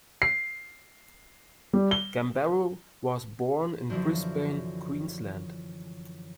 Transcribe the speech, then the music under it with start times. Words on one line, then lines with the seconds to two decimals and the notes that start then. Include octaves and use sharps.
Gambaro was born in Brisbane, Queensland.
0.22 C7
1.73 G3
1.91 G7
3.90 F#2 D3 E3 F3